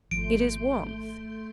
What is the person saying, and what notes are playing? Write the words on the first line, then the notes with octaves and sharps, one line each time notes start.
It is warmth.
G#1 F3 A3 C6 G6 D7